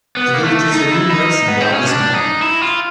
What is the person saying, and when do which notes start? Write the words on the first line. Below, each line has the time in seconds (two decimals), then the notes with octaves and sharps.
The villages are numerous and rather small.
0.17 B3
0.34 A#3
0.44 A3
0.73 D#4
0.91 E4
1.10 D#4
1.48 B3
1.61 C4
1.73 C#4
1.86 D4
2.14 D#4
2.42 E4
2.62 F4